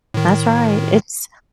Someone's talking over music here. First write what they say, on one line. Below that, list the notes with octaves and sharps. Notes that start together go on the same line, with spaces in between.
That's right, it's
A2 D#3